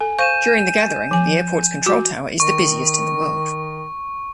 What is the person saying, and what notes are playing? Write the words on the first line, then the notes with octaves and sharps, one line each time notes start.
During the gathering, the airport's control tower is the busiest in the world.
A4 G#5
C5 F5 C#6 G6 D#7 E7
F3 G#5
F#4 D6
D#3 C#6